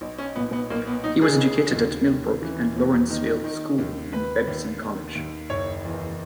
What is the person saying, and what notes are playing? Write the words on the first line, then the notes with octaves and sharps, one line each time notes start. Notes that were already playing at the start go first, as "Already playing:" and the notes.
He was educated at Millbrook and Lawrenceville Schools and Babson College.
B1
C#4
A#2 B3
B3
B1 A#3
B3
B1 D#4
G#4
C#3
D#2
D#2
E3
E1
D#3
D#3
D#2
D#2 B4
D#2
D#2
D#2
F#1 C#5
E2